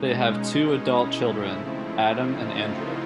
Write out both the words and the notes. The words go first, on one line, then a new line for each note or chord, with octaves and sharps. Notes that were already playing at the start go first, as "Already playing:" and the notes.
They have two adult children, Adam and Andrew.
Already playing: B2 G#3 C#4 D#4
E4
C#3 F3 A3 C4
E4
D#4 F4
E4 F#4